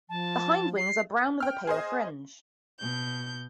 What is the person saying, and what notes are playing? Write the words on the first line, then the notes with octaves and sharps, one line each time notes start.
The hindwings are brown with a paler fringe.
F3 A5
C7
G5 F6
G#4 C5 D#5
B2 G6